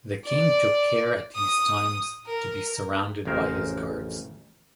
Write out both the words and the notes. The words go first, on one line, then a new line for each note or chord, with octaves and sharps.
The king took care at these times to be surrounded by his guards.
D5
D#6
A#4
A1 F2 C#3 A#4 C5